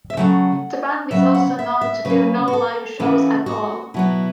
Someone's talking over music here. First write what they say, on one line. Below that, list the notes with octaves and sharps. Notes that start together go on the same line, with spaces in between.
The band is also known to do no live shows at all.
E5
C#3 F#3 A3 F#5
C#3 F#3 B3 E5
F#5
E5
E5
C#3 F#3 C#4 B4
F#4
A4
C#3 E3 A3 F#4
F#4
B2 F#3 B3 E4